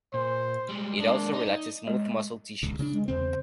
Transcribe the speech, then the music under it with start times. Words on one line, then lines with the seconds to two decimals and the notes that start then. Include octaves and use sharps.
It also relaxes smooth muscle tissues.
0.14 A#2 C5
0.69 G3 G#3
0.99 G#3 A#3 D4
1.33 D#4
1.87 G#3
2.63 D#1 C#2
2.79 C#3 C4 D4
2.92 G#3
3.08 E2 C#3 C4 C5